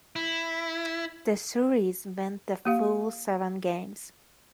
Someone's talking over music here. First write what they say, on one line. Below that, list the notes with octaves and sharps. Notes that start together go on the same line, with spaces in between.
The series went the full seven games.
E4
A#3 G4 F5